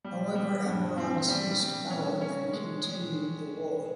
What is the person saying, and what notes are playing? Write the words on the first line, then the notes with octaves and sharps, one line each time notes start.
However, Ammoron seized power and continued the war.
G3
G3
G2
C4
G3
G3
C#4
C#4
G#3
G#3